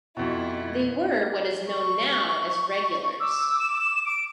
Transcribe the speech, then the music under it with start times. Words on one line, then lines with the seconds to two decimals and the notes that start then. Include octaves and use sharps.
They were what is known now as "regulars".
0.17 F2 B2 E4
1.67 C#6
3.20 D6 E6
3.59 E7
4.05 D7